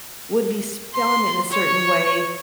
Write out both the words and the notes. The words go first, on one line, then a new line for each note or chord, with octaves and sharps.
would be spun in a certain way
C6
C#5